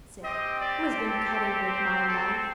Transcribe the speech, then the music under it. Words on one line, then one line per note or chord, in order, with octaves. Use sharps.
The sixth, "Who has been cutting with my knife?"
C4 G4 D#5
D5
A4
C5
A4